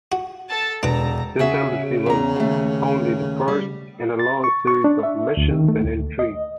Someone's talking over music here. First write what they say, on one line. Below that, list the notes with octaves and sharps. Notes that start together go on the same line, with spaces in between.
This embassy was only the first in a long series of missions and intrigues.
F#4
A4 A5
E1 D4 B4 A#5
C#3 F#4 G#4 E5
E2 A#5
D#2 A3
G3
A6
C#6
C#6
D4
E5
D2
D#3
A3
D2
D#5